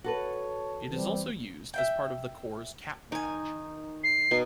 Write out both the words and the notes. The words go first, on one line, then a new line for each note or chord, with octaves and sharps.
It is also used as part of the Corps' cap badge.
F#4 A4 B4 C#5
E3 G3 C4
E5 F5 G5
D#3 D#4 G#5
C7
B2 D#4